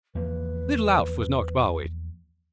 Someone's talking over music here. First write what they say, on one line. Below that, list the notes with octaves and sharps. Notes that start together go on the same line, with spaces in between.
Little Alf was knocked bawways.
E2 F3 A#3 B4